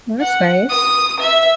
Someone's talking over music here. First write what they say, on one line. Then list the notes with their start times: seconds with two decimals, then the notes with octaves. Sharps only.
Well, that's nice.
0.20 F#5
0.69 D#6
1.20 E5